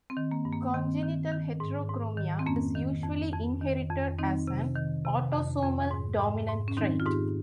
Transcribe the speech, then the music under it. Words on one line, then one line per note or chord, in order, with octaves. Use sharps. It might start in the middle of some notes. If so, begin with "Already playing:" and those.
Congenital heterochromia is usually inherited as an autosomal dominant trait.
C4
D#3
A#3
G2
A#3
D#3 C4
D#3
D#3
G#2
G#2
D#3
C4
F2 A#3 C#4
D#3
F2
F2
D#3
F2
D#3 C4 D#4
C3
D#3
C3
F2
F2
G#2
G#2
G#2
C#4
D#3 C4 D#4
F4
G#2 D#4 G4